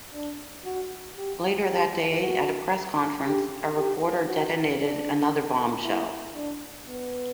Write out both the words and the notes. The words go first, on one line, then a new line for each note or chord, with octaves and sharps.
Later that day at a press conference, a reporter detonated another bombshell.
D4
F#4
G4
G4
F#4
G4
G4
F#4
D4
E4
D4
B3